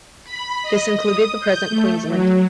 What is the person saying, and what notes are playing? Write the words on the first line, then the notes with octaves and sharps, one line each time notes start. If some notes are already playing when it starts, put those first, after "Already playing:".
This included the present Queensland.
B5
D#5
D#6
G6
A3
F#3